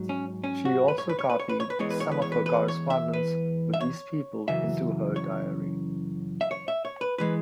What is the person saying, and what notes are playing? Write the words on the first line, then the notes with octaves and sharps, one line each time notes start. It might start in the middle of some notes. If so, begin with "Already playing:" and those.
She also copied some of her correspondence with these people into her diary.
Already playing: G#2 F#3
C#4
C#4
F#4
B4
C#5
B4
C#5
B4
C#5
B4
C#5
B4
E2 E3 G#3 C#5
B4
C#5
B4
C#5
B4
B4
C#5
E5
B4
E5
C#5
F#2 C#3 E3 E5
C#5
E5
C#5
E5
C#5
B4
E3 G#3 B4